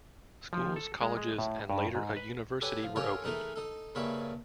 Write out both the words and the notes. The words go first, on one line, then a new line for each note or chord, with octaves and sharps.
Schools, colleges and later a university were opened.
F3
A4
G#3
G#3
A2
G2
G#2
B4
G4 A4 B4 C#5 G5 G#5
F3
C#4 F4 G4 A4 A#4 C#5
E3 G#3 A3 D#4 A#4 B4
D#4 A4
G2 C#3 A#3 E4 B5 C#6